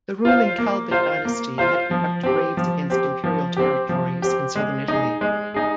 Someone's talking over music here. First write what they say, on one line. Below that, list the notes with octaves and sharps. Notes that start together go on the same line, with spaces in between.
The ruling Kalbid dynasty had conducted raids against Imperial territories in southern Italy.
F4 C5 F5
A#3
F4 C5 F5
A#3
F4 C5 F5
F3
C4 G4
F3
C4 G4
F3
C4 G4
F3
C4 G4
G#3
D#4 G#4
G#3
D#4 G#4